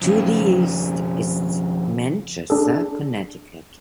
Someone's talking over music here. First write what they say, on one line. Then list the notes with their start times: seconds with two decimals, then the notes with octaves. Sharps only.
To the east is Manchester, Connecticut.
0.02 F2 C#3
2.50 D4 G#4 A4